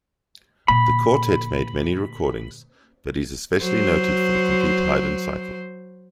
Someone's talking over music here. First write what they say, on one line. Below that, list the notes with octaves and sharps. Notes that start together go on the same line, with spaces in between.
The Quartet made many recordings, but is especially noted for the complete Haydn cycle.
A#2 D3 B5
F#3 C5